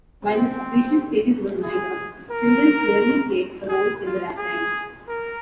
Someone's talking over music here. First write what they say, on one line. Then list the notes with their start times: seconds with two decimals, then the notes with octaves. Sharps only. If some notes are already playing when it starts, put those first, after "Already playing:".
While his official status was minor, Hudal clearly played a role in the ratlines.
0.23 C4
1.62 G#4
2.31 A#4
3.69 G#4
4.04 F4
4.38 G#4
5.08 A#4